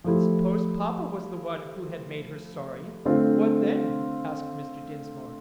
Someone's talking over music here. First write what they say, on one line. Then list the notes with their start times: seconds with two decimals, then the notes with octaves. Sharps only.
"But suppose papa was the one who had made her sorry; what then?" asked Mr. Dinsmore.
0.04 F3 A3 E4 G4
3.05 D3 A3 C4 F4